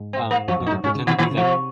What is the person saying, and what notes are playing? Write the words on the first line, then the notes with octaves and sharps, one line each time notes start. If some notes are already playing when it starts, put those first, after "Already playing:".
um, you know pretend to be that uh
Already playing: G#2
C4
A#3
F#2 F3
F2
D#4
F#2
G#2 C#4
C#3
C3 D#3
A#2 D#3
C#3
C3 F3